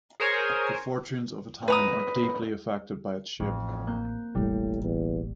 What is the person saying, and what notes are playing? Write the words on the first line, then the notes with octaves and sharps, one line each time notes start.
The fortunes of a town are deeply affected by its shape.
G#4 A#4 C5 C#5 G#5
B4 A#5 D#6
A1 F2
A#3 F#6 G6
E1 A1 A2 G3
E2